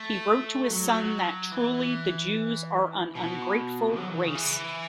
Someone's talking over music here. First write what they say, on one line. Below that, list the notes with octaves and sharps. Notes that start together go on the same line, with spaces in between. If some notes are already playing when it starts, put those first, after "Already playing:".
He wrote to his son that "truly the Jews are an ungrateful race".
Already playing: A3
F#3
E3
B2
F#3
E3
C#3
E3